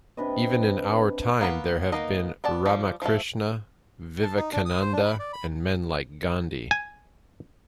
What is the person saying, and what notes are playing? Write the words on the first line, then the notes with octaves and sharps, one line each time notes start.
Even in our time there have been Ramakrishna, Vivekananda, and men like Gandhi.
C3 D4 B4 D#5
A#3 B3 B4
A#3 B3 D#4 D#5
B3 D5 A5
F3 G3
F3 A3
A5
D#4
D4
D#6
C5
D4
B5
D5
B5
G#5